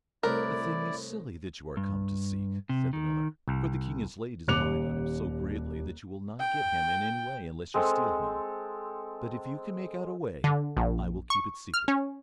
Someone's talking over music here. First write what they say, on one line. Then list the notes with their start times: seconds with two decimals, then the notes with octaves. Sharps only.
"The thing is silly that you are come to seek," said the miller; "for the king has laid his mind on him so greatly that you will not get him in any way unless you steal him; but if you can make out a way, I will keep it secret."
0.23 C2 A2 E4 A#4 B4 D5
1.77 G2
2.69 C3
2.93 D#3
3.48 C2
4.48 D#1 D#2 D6 F#6 C#7 F7
6.40 G5
7.74 G#3 C4 A4
10.44 D3
10.77 A#1
11.30 C#6
11.74 F6
11.88 C#4